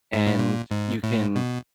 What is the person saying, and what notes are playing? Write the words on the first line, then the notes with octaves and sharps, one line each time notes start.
and you can
G#2
A2
A#2
G#2
A2
B2